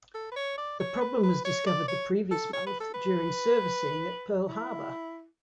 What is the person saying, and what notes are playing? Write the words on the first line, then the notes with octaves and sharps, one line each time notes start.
The problem was discovered the previous month during servicing at Pearl Harbor.
A4
B4
C#5
D5
C#5
B4
B4
C#5
D5
C#5
A4
C#5
B4
A4
B4
E4